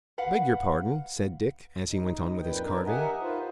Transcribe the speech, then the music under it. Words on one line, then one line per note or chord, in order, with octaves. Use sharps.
"Beg your pardon," said Dick, as he went on with his carving.
B4 F5 F#5
D#4
F2 A#2 B4 G5
D4 A#4
G4 A#4 D#5 E5 F#5 G#5
D#4 F4 B4 C5